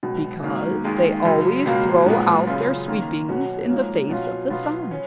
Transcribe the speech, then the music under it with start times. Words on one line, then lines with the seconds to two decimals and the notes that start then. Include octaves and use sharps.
'Because they always throw out their sweepings in the face of the sun.'
0.03 C#2 B2 F#3
0.43 G#2 D#3 F#3 A#3
0.84 D#2 D#3 G#3
1.25 F#2 C#3 F#3
1.66 C#2 B2 F#3 A#3 F4
2.06 A#2 F3 G#3 B3
2.47 F#2 C#3 F#3 C#4 F4
2.88 D#3 A#3 F4
3.28 B2 F#3 C#4 F#4
3.69 G#2 F3 A#3 C#4
4.09 B2 F#3 C#4 F4
4.50 B2 F#3 B3 F4
4.91 C#4